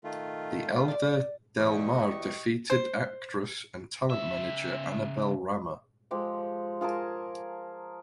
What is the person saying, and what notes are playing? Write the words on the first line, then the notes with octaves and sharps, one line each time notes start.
The elder Del Mar defeated actress and talent manager Annabelle Rama.
D#3 A3 F4
D5
E2 G4 D#5 C#6
C5
C#3 E5
F3 G#3 G4 A4
F4 G#4 A#4 A5